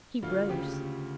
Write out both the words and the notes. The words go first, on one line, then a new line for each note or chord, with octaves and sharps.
He rose.
D2 F4
C#3 G4